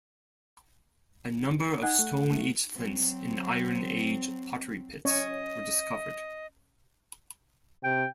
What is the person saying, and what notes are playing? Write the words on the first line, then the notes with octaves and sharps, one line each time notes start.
A number of Stone Age flints and Iron Age pottery pits were discovered.
D#4 F#5 G#5 F#6
A3
A3
F#3 C4
C#4 C#5 D#5
C3 G5